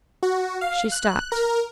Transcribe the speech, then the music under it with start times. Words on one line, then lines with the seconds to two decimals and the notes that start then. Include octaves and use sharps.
She stopped.
0.23 F#4
0.61 F5
0.92 F#6
1.32 A#4